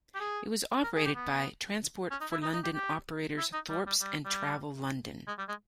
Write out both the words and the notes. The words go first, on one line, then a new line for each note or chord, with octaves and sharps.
It was operated by Transport for London operators Thorpes and Travel London.
G4
G#4
A#4
G#4
G4
B3
C#4
D#4
E4
D#4
D#4
G4
G4
E4
D#4
G3
G3
G3
G3
G#3
G3
G#3